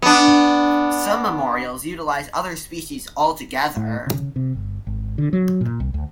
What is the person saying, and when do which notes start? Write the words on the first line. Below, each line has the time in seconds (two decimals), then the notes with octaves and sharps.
Some memorials utilise other species altogether.
0.02 B3 D4
3.77 A2
4.07 C#3
4.36 C3
4.55 G1
4.87 G#1
5.18 D3
5.33 F#3
5.61 A#2
5.80 C2
5.94 D2